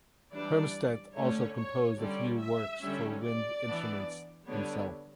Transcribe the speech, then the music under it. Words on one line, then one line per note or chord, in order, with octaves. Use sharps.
Hermstedt also composed a few works for wind instruments himself.
E3 G3 D4 D5
D3 A3 C#4 C#5
C#5
D3 G3 C#4 D5
E5
D3 G3 C#4
D5
E3 B3 D4
D3 G3 B3 D4 C#5